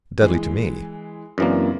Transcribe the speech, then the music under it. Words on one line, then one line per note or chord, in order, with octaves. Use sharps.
Deadly to me!
E3 G#3
F#2 C#3 E3 A#3 C4 D4